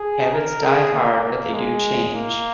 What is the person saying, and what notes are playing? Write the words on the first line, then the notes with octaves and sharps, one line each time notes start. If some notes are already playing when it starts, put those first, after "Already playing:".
Habits die hard, but they do change.
Already playing: G#4
A#4
G#4
A#3
A#3
G#3
A#3